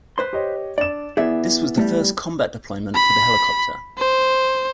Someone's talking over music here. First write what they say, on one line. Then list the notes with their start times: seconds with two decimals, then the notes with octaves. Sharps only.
This was the first combat deployment for the helicopter.
0.18 B4 C5 C6
0.33 G4 C#5 D#5
0.78 D4 D5 E7
1.17 E3 B3 G#4 D5 E5
1.78 G3 A3
2.95 B5
3.98 C5